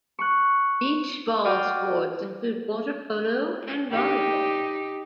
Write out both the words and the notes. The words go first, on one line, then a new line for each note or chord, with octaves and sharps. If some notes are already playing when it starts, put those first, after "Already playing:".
Beach ball sports include water polo and volleyball.
C#6 F#6
F#4 D5 D#5 F5 G5
D#4 G4